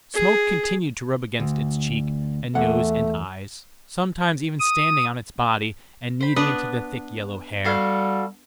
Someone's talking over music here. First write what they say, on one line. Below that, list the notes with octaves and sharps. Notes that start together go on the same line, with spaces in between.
Smoke continued to rub against its cheek and nose and eyes, sometimes even standing on its body and kneading into the thick yellow hair.
G#4
D2
E2 A3 F#5
D#6
C5 B5
B3 D4 B4 D#6
G3 F#4 A4 F5